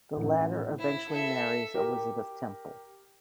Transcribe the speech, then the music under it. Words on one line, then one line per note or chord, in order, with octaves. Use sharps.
The latter eventually marries Elizabeth Temple.
A1
E4
A4 E5
G4 A#4